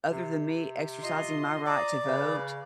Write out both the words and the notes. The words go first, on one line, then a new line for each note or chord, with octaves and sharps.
other than me exercising my right to vote
C3
F4 D#5 C6
D5 A#5 D#6
C#3 B4